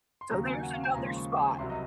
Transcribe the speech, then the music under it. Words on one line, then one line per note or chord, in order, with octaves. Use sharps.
So, there's another spot
C6
D#2 C#3 F#3 A#5
G#5
F#5
F5
G#5
D#2 C#3 F3 G#3 A#5
C6
C#6
C2 C3 F#3 C6
D#5